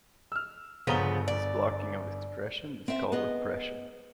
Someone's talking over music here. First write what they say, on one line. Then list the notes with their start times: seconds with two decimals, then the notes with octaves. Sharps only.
This blocking of expression is called repression.
0.32 E6 F6
0.87 G1 C#3 F3 B3 A#5 G7
1.28 D5
2.88 C4 E5
3.12 B3 G#4 D#5